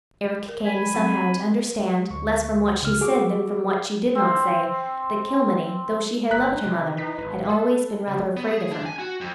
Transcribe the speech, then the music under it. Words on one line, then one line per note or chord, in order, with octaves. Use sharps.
Eric came somehow to understand, less from what she said than from what she did not say, that Kilmeny, though she had loved her mother, had always been rather afraid of her.
A#4
G#5 B5
F#3 C4 F#5
D2 C#6
C#2 F6
F#4 G#4 D6 E6
C4 C5
G1 A#5 F#6 B6
C3
E3 D#4 B6
G#1 B4
A4
C#3
B3
G#4
D4
G#5
F#4
F2